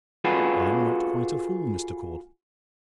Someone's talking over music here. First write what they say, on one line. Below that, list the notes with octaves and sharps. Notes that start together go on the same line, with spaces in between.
I'm not quite a fool, Mr. Caudle.
F4 F#4 G#4 A4 B4